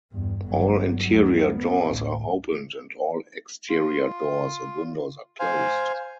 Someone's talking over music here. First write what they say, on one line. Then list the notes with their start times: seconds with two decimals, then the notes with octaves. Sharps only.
All interior doors are opened, and all exterior doors and windows are closed.
0.12 E2 G2
0.43 G1 F#3
1.04 D#2 F#3
1.55 B3
1.89 A1 D2
3.69 F4
5.40 C5 F5 G#5